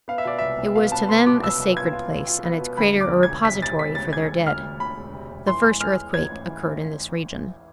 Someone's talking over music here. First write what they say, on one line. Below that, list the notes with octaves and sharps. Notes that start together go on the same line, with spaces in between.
It was to them a sacred place, and its crater a repository for their dead. The first earthquake occurred in this region.
B3 F5
E5
B2 D5
C2 E5
C2
B2 F5
B3 A5
C2 C6
B2 D6
B3 E6
C2
F4 G#6
F4
F4
F4
B3
B2
D2 B5
E1
D6
E1
G#6
E1
C3 B6
C3 A6
E1 B6
D2 A6
E1 G#6
E1
D2 F6
D2
D2 B5
E1
C3
E1
E3 C6
G#3
G#3 F6
G#3
G#2 G#6
A1
E3
A1